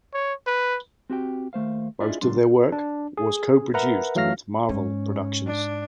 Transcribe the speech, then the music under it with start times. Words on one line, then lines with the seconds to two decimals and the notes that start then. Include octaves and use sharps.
Most of their work was co-produced with Marvel Productions.
0.14 C#5
0.47 B4
1.10 C4 F#4 G4 G5
1.53 D#2 A3 C5 F5
2.00 D4 E4 F4 G#4 D5 D#5
2.21 G#2 C#3 F#3 D4 C6
2.72 D4
3.17 G#4
3.74 A#4 B4 E5 F#5 A#5
4.15 E3 F#3 A3 F5 F6 A#6
4.69 G#2 C#4
5.47 D4